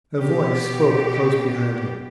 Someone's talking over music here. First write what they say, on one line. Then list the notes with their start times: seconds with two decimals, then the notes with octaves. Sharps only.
A voice spoke close behind her.
0.19 B2 G4